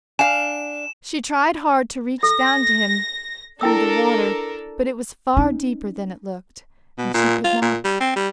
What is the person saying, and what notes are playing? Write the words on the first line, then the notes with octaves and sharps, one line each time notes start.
She tried hard to reach down to him through the water, but it was far deeper than it looked, and she could not.
D4 F5 G#5 E7
A4 A#6
D4 E4 A4 A#4 G5 E6
C#4 D#4
B2
A#2
F4
A#2
G3
C4
G3